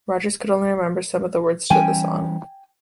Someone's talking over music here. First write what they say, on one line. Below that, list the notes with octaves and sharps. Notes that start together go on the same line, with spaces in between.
Rodgers could only remember some of the words to the song.
E3 G3 C#4 G5 G#5